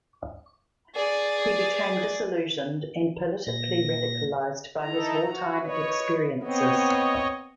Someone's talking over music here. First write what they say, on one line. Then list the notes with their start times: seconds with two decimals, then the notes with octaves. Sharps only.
He became disillusioned and politically radicalized by his wartime experiences.
0.95 G#4 D5
3.47 A#2 A#6
4.83 D#4 E4 A4 A#5
5.21 F#4
5.60 B4 C#5 D#5
6.43 B3 C4 C#5 D#5